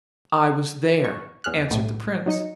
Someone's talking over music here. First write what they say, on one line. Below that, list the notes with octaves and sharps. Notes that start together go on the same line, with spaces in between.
'I was there,' answered the prince.
C#6
E2 G#4 F6 F#6
B1 A2
F#3 D#4 D#5 C#7